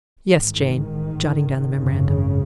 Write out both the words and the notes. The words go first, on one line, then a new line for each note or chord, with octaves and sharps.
"Yes, Jane," jotting down the memorandum.
A1 G#2 D#3
G#1 F#2 C#3